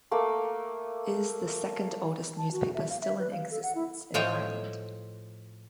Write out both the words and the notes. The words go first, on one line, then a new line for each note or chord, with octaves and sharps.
It is the second oldest newspaper still in existence in Ireland.
A3 A#3 D6
A5
F#4
E5
F5
E5
B4
F5
A4
F#5
E4
A2 F3 C5 C#5 D#5 G5